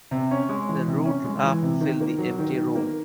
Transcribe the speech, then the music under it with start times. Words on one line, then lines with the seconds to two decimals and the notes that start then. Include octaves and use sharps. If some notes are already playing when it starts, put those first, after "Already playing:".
The rude laugh filled the empty room.
0.11 C3
0.31 C#4
0.49 G#3
0.69 E3
0.88 C3
1.05 C#4
1.24 G#3
1.43 E3
1.63 C3
1.81 D#3
2.01 A#3
2.18 F#3
2.38 D#3
2.56 D#3
2.75 A#3